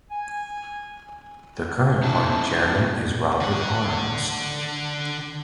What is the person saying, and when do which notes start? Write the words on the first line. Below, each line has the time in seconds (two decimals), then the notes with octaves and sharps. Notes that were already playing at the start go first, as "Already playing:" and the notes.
The current party chairman is Robert Harms.
0.10 G#5
2.03 C#4 D#4 E4 A5
3.41 D3 F#5